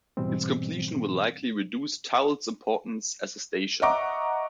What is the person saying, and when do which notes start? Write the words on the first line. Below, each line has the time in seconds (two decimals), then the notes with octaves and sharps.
Its completion will likely reduce Toul's importance as a station.
0.17 G#2 B2 E3 G3 B3 C4
3.82 D#5 E5 F#5 A#5 C#6 D6